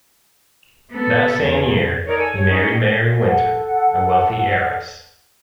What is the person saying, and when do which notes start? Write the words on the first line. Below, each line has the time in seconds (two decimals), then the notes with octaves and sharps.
That same year, he married Mary Wynter, a wealthy heiress.
0.91 B3 A4
1.43 E2 C#3
2.05 D#4 A#4 C#5 D5
2.18 A4 G#5 E6
2.34 C#5
2.49 C#4 D#4 A5
2.71 D5 G5
3.28 A4 F#5